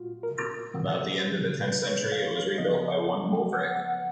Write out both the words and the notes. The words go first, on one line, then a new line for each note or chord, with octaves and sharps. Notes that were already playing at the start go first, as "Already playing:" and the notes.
About the end of the tenth century it was rebuilt by one Wulfric.
Already playing: A#2 G#3 F4 F#4
A#4
B4
B4
C#5
F5
F5
C#2 C#3 F3 B3 D#5
F#5
F#5
F#5